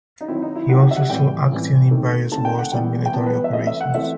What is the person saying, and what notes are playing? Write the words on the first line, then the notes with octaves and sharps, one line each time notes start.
He also saw action in various wars and military operations.
D#4
D#3 F#3 C4 E4
D#4
E4
D#3 F#3 C4 F#4
G4
E5
F#5
A2 E3 G3 C4 G5
A2 E3 G3 C4
D#3 A3 C4
D#3 A3 C4 A5
G5
F#5
E3 G3 B3 G5
G5
E3 G3 B3 A5
B4
E5
E3 A3 C4 D#5
E5
F#5
E3 A3 C4 E5